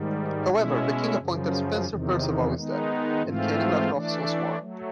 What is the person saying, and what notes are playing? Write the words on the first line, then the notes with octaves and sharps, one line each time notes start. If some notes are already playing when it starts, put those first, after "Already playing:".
However, the King appointed Spencer Perceval instead, and Canning left office once more.
Already playing: G#2 D#3 G3
B2 G#3 C#4 E4
F#2 C#3 F3
E2 C3 D#3
D#3 G#3 B3 D#4
G#2 E3 A3 C4 F4
E3 A3 D4
F#3 A3